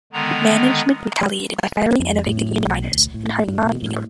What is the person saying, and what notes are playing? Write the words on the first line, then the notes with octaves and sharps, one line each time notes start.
Management retaliated by firing and evicting union miners and hiring non-union labour.
D3 D#3 G#3 B3 A#5
F2
A2
B1
D2
A2
G2
B2
A2